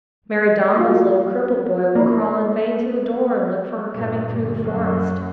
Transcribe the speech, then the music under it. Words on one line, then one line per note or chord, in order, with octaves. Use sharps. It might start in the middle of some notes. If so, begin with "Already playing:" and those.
Mary Domville's little crippled boy would crawl in vain to the door and look for her coming through the forest.
F4 F#4 F5
A#3 E4 D5
G2 A#2
G1
F#2 F#3